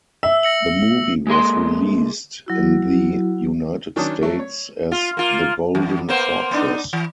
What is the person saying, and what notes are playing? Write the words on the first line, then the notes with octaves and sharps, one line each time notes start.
The movie was released in the United States as The Golden Fortress.
E5 E6
A#6 C#7 F#7
G#3 A#3 G#4 C6
F#3 E4 F#4
D#3 F#3 C#4 D4 A5 D#6
F#3 A3
C#5
F4
A#3 F4
E2
A#3 B3 C5
B3 D4 D#4
E3